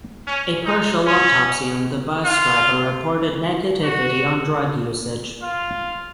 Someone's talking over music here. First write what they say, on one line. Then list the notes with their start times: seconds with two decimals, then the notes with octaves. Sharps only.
A partial autopsy on the bus driver reported negativity on drug usage.
0.27 C#4
0.66 D#4
1.06 C#4
2.25 F4
3.83 F#4
5.42 F4